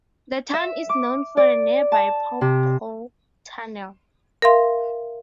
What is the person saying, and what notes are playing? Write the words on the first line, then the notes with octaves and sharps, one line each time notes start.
The town is known for the nearby Paw Paw Tunnel.
E5
D6
D5
A5
C3
A#4 E5 F5 C6